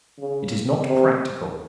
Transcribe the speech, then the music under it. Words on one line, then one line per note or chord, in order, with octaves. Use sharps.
It is not practical.
C#3
C3